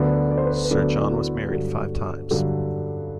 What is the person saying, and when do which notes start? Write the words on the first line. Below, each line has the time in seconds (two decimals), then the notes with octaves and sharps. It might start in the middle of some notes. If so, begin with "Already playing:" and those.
Sir John was married five times.
Already playing: D2 D3 F#3 B3 D4 D5
0.31 D5
0.37 C5
0.45 B4
0.53 C5
0.65 B4
0.71 D2 D3 F#3 B3 D4 A4
1.02 E4
1.10 F#4
1.50 G2 D3 F#3
2.31 G2 D3 F#3